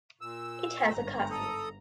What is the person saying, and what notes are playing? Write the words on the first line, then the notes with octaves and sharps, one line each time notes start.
It has a castle.
A#2 E6
G1 G#2 A#5
A4 D#6